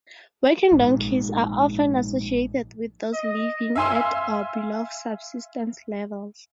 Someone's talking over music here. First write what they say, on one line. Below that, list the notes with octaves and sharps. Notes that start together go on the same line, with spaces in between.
Working donkeys are often associated with those living at or below subsistence levels.
A#1 G#2
D#5
E5 F5 G#5 C6 E6